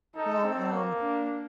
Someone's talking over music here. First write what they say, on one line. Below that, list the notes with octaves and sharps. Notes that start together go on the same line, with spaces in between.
Well, um,
D#4 A4
C4
A#3
D4